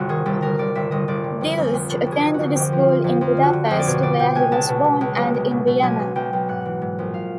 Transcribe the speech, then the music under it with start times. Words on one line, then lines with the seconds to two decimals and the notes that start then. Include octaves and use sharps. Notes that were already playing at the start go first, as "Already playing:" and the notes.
Deutsch attended school in Budapest, where he was born, and in Vienna.
Already playing: G1 C3 F#4
0.09 D#3 G#4
0.26 G1 A4
0.42 G1 A#4
0.59 G1 D5
0.75 G1 E5
0.91 G1 D#5
1.08 G1 D5
1.24 D3
1.41 F2
1.57 F2
1.73 F1
1.89 F1 A4
2.06 F1
2.12 G#4
2.22 D3
2.34 F#4
2.39 F2
2.55 F2 G4
2.72 F3
2.78 F4
2.88 F2
3.04 F2
3.21 F2 F4
3.37 D3
3.43 F#4
3.53 D3
3.65 G4
3.70 F2
3.79 D5
3.87 B2 C#5
4.03 B2 D5
4.19 B2 G5
4.35 C#2 G#5
4.52 C#2 A5
4.69 B2
4.84 B2
5.01 C#2
5.17 B1
5.34 B1
5.51 B2
5.67 B2
5.83 B1 G#5
6.00 B2
6.16 B1 G5
6.33 B1
6.49 G#2 F#5
6.65 E3
6.82 G#2
6.99 A#1
7.14 F5